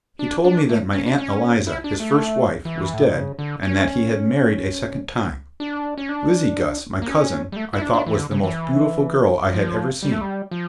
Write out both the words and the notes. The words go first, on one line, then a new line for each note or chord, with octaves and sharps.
He told me that my Aunt Eliza, his first wife, was dead, and that he had married a second time; Lizzie Guss, my cousin, I thought was the most beautiful girl I had ever seen.
D4
D4
A3
C#4
D4
C#4
E4
D4
A3
E3
A2
A#2
C#3
D3
C#4
D4
C#4
D4
A#3
C#4
G3
A3
E4
D4
D4
E3
D3
C#3
E3
F3
G3
A3
G3
F3